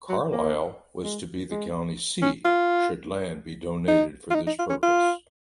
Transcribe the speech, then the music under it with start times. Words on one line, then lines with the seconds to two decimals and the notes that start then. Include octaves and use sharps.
Carlyle was to be the county seat should land be donated for this purpose.
0.09 F#3
0.32 A#3
1.03 G#3
1.51 G#3
2.22 C#4
2.45 F4
3.88 D#4
4.30 F4
4.34 D#4
4.47 D#4
4.59 F4
4.70 C#4
4.82 F4